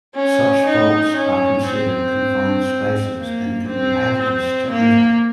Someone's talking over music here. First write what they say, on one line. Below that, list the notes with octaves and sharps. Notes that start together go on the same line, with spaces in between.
Such vaults are considered confined spaces and can be hazardous to enter.
C#4
D#4
C#4
C4
A#3
C4
C4
A#3